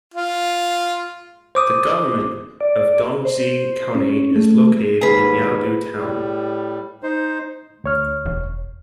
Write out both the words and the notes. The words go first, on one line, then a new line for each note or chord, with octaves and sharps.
The government of Dongzhi County is located in Yaodu Town.
F4
C5 D6 D#6
D5
C5
C#4
A3
D#2 G#2 G#4 B4
A2 G3
D#4 C5
D2 C#5 F6
E1